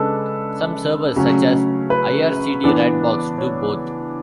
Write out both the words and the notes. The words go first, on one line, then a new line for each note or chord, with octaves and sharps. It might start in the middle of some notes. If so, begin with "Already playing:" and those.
Some servers, such as ircd-ratbox, do both.
Already playing: C#3 G#3 D4 A4 B4
C#3 F#3 A3 C#4
B4
E3 B3 D4
C#5